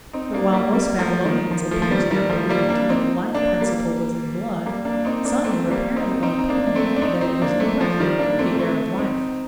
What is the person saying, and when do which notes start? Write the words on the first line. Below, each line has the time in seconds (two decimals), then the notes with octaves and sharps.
But while most Babylonians appear to have believed that the life principle was in blood, some were apparently of opinion that it was in breath--the air of life.
0.13 C4 D#4
0.33 A#3 D4
0.53 G3 A#3
0.73 G3 A#3
0.99 F3 A3
1.25 D#3
1.51 F3
1.71 F3 A3
1.82 F3
1.91 D#3 G3
2.11 D#3 G3
2.30 F3 A3
2.49 G3 A#3
2.69 A#3 D4
2.89 C4 D#4
3.35 A#3 D4
3.61 G3 A#3
4.66 G3 A#3
4.85 A#3 D4
5.05 C4 D#4
5.25 A#3 D4
5.44 A3 C4
5.70 G3 A#3
5.96 C4 D#4
6.23 C4 D#4
6.39 D#4
6.49 A#3 D4
6.67 D4
6.75 A3 C4
6.96 D4
7.02 C4 D#4
7.21 C4 D#4
7.42 A#3 D4
7.60 A3 C4
7.80 F3 A3
8.00 D#3 G3
8.19 A#3 D4
8.39 A3 C4
8.54 A#3
8.59 A3 C4
8.98 C4 D#4